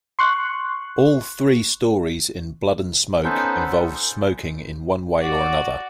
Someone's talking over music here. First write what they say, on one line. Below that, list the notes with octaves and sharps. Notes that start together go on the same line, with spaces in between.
All three stories in "Blood and Smoke" involve smoking in one way or another.
C6 C#6 F#6
B3 C#4 D#4 A4 B4 C5
F#4 D5